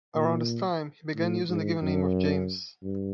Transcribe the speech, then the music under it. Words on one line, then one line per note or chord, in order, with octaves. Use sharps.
Around this time, he began using the given name of James.
A#2
A2
G#2
F#2
G2